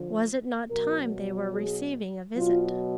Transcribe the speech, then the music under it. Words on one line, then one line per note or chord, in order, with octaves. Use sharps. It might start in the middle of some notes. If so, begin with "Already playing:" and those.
Was it not time they were receiving a visit?
Already playing: D3 F3
B2 F#3 A#4
G#4
B2 F#3 F4